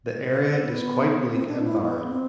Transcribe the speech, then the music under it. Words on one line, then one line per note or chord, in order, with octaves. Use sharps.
The area is quite bleak and barren.
C5
A4
B3
C4
D4
E4
B3
C4